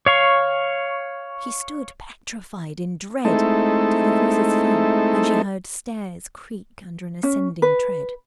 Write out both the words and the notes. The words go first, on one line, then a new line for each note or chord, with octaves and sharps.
She stood petrified in dread till the voices fell and she heard stairs creak under an ascending tread.
C#5 F5 C#6
G#3 A3 C4 D#4 E4 A4
C#4
B4